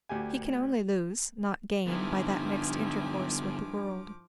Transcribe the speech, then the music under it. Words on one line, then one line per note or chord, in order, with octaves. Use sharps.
He can only lose, not gain, by that mixed intercourse with the world.
D2 G4 G#5
G2 D3 D#3 F3 B3 E4 G#5 D6